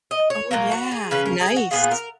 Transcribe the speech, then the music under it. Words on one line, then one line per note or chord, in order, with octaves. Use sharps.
oh yeah, nice.
D#5
C#5
A#2 F#3 A#3 A#4
F#4
G#4
C#3 F3 C#4 B4
A#4
G#4
F#4
A#2 F3 B3 F4 G#4
A#4